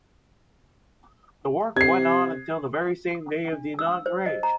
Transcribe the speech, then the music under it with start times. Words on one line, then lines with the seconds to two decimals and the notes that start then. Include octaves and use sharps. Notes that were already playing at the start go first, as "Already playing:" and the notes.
The work went on until the very same day of the inauguration.
1.77 C3 G#6 C7
3.53 D4
3.79 E6
4.06 C5
4.26 D#5
4.43 A#5